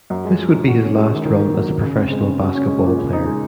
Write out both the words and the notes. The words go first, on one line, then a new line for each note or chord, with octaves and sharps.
This would be his last run as a professional basketball player.
F#2
G#3
F3
F#2
F#4
C#4
G#3
D#3
D#3
A#3
F#3
D#3
C#3
C4
G#3
C#3
F#4
C#4
G#3
A#2
C#3
D#4
G#3